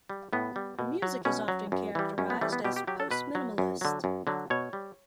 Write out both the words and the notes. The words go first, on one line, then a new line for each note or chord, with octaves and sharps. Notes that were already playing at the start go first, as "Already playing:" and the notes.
Her music is often characterized as postminimalist.
G3
A2 B3
G3
B2
F#3
B2 C#4
F#3
F#2
E3 G3
F#2 C#4
B3
E3 G3 A3
B3
B2 G4
G4
F#3 G4
A4
B2 B4
F#3
F#2
D3 F#3
F#2
D3 F#3
B2 C#5
G3